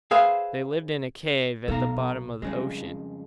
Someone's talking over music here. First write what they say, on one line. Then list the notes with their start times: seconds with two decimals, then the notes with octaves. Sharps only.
They lived in a cave at the bottom of the ocean.
0.11 G#4 B4 C5 E5 F5
1.68 B1 B3 A4 F5 A#5
2.42 F2 C#3 G3 G#3